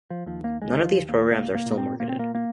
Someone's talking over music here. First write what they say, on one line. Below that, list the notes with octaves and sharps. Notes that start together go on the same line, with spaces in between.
None of these programs are still marketed.
F3
D#2 F3
A#3
D#2 G#3
D#3
F3
D#2
A#3
C2 A#3
A#3
A#2
A#3
C4
A#2 A#3
C4
A#3
A#3